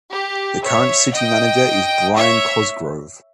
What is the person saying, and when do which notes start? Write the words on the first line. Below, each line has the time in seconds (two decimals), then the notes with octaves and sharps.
The current city manager is Bryan Cosgrove.
0.12 G4
0.63 C#5 E5
1.14 D#5 G5
2.16 C#5 E5